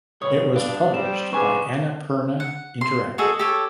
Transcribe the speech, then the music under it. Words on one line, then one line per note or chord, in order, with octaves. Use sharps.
It was published by Annapurna Interactive.
D2 G2 B2 C#5 D#6
D4 G4 F5
G3 C4 E7
C2 D4 G#4 B4 G#5 C#6 D6
F#5
C6
F#4 G#4 A4 D#5
G4 A4 C#5